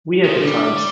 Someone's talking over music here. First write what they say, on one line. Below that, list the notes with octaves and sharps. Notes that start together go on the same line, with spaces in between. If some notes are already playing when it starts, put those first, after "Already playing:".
We had good times.
D#3
F3
D3 G3